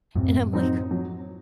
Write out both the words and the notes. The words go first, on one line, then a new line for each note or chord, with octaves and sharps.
And I'm like,
F#2 A2 C3
F#3 C4 D#4
F#3